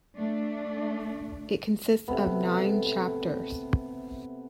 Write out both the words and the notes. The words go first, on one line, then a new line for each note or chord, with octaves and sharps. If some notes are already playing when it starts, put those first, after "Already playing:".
It consists of nine chapters.
A3 D4
C3 A3 B3